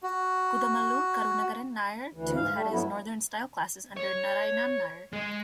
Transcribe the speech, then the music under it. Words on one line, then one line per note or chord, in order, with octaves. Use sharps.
Kudamaloor Karunakaran Nair too had his northern-style classes under Naraynan Nair.
F#4
D2 E3
G#2 F5
A3
G2 F#3 B3 E4
C#5
G#3